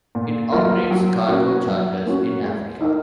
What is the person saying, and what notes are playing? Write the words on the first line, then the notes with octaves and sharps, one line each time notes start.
It operates cargo charters in Africa.
A#2
F#3 A#3 F4 A#4
F#3
A#3 C#4 F#4
F#3
A#3 C#4 F#4
G#3
D#4 A#4